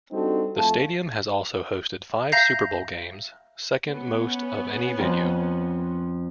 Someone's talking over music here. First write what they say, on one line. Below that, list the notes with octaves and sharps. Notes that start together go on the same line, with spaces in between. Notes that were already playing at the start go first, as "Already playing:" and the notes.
The stadium has also hosted five Super Bowl games, second most of any venue.
G3 C4 D4 D#4 F#4 A4
F2 A3 F5 A5
E5 F5 A#5 G6 A#6 C7
B3 C#4
F2 F3